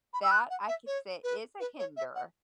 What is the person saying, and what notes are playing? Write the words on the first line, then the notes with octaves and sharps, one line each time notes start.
that, I could say, is a hinder
B5
E6
F#6
F#5
E5
C#5
B4
B4
C#5
E5
F#5